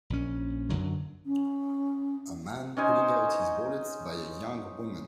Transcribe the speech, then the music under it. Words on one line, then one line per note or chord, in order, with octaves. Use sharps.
A man pulling out his wallet by a young woman.
A#1 C#4
F#2 D3 F#3
C#4
C#4 D#4 C5 G#5